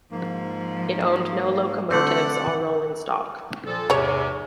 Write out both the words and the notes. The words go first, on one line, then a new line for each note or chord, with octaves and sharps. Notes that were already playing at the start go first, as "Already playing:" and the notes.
It owned no locomotives or rolling stock.
G#2 F3 A#3
D3 A3 C4 D5 F#5
A#2 F3 A4
E2 G#2 C3 G#3 C#5